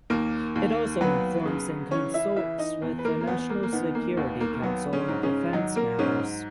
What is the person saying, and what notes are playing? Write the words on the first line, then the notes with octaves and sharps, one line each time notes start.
It also informs and consults with the National Security Council on defense matters.
D#2 A#3 A#4
D#2
F#3 B3 B4
C#3
E3 C#4 C#5
E4 E5
E3 E4 E5
D#4 D#5
E2
B4
A#3 A#4
A#3
E2 B3
B3
A#3
A#3
D#3 B3
A#3
D#2 B3
A#3
A#3
F#3 B3
C#3 C#4
G#2
C#3 C#4
D#3 F#3 D#4
A#3 A#4
G#2 C#3 C#4